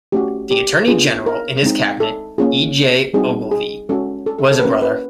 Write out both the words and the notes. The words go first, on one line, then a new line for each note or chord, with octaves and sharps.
The attorney-general in his cabinet, E. J. Ogilvie, was a brother.
A3 C#4 F#4 G4
G4
B3 D4 F4 G#4
A#4
G#3 C4 D#4
A4
A#3 C#4 F4 G#4
G3 C4 D#4 F#4 G#4
G#4
G#3 C#4 F#4 A4
A4
A4
A4
B4
A#3 C#4 F#4 A#4
B4